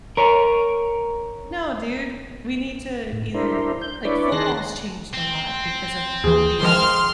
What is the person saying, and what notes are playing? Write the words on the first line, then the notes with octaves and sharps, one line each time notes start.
"No, dude, we need to either" Like, football's changed a lot because of all of the, um
A#4 C#5
A2
D4 E4 A#4 C5
G6
D4 E4 B4 C#5 D5
D#3 G#4 A5 C6 F#6 A#6
C4
D#2 E3 G#4
D#3 F3 G#3 C6 F6